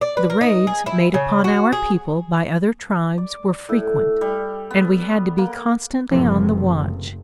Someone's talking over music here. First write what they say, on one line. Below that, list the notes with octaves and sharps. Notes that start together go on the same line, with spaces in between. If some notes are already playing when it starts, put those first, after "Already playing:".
The raids made upon our people by other tribes were frequent, and we had to be constantly on the watch.
D5
B4
A#4
D#4
G#4
E4
C#3
F#4
G#4
D5
A2
G3
B3
A#3
F#1 A2 C3 E3 F3